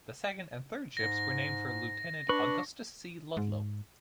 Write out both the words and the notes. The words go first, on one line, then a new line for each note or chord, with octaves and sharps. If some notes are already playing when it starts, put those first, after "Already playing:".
The second and third ships were named for Lieutenant Augustus C. Ludlow.
G#2 A#6
D4 B4 C#6
G#2